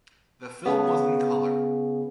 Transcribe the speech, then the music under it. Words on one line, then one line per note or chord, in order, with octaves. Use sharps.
The film was in colour.
C#3 B3